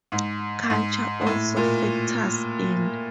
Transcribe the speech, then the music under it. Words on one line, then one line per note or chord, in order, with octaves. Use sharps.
Culture also factors in.
G#2
G#2
G#2
A2
A#2